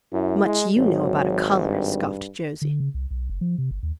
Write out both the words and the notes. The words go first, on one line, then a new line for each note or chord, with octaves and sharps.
Much you know about a colour,' scoffed Josie.
F#2 E4
G#3
G#1 F#3
G2
D3
C#3
C2
B1
F#1
F3
C3
G1
D#2